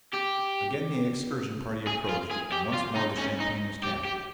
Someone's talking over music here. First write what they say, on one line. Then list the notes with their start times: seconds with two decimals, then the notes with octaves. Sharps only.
Again the excursion party approached, and once more the champagne was tapped.
0.13 G4
1.87 G#4
2.09 F4
2.31 G#4
2.53 G4
2.74 F4
2.96 D#4
3.18 C#4
3.40 D#4
3.84 G4
4.05 G4